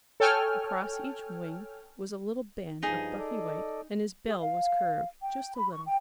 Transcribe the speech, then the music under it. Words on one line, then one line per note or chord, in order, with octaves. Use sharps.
Across each wing was a little band of buffy-white, and his bill was curved just a little.
A4 C#5 G5 G#5 F6
G2 F3 D#4 G#4
A4 D5 D#5
G#4
F5
G5
B5
C#6
G5